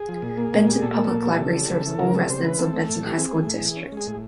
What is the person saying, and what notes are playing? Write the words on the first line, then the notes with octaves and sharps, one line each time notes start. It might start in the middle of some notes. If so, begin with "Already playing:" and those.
Benton Public Library serves all residents of Benton High School District.
Already playing: G#4
F3
A#2
A#3
A#2
G3
A#2 A4
A#3
A#2
G3
C#3
G3
C#3
E3
C#3 A#4
G3 A4
C#3 C5
E3 B4
C4 A4
A3
A2
E3 G4
C4 G#4
A3
A2
E3
C#4
G#3 G#4
A2